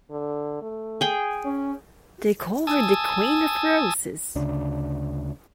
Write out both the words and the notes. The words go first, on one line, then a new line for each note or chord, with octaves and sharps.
They call her "The Queen Of Roses".
D3
A3
G#4 G5
C#4
G#5 A5 D#6 E6
D2 C#3 D4